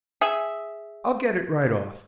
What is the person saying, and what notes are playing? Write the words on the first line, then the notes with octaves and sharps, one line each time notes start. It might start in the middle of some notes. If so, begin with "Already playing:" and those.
I'll get it right off.
G#4 E5